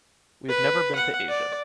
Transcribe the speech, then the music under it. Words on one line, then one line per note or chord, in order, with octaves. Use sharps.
We have never been to Asia.
B4
F#5
D5